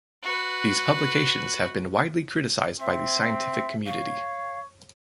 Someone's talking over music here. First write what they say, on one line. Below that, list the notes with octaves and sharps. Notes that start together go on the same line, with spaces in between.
These publications have been widely criticised by the scientific community.
F#4 B4
C4 E5
C#5 F5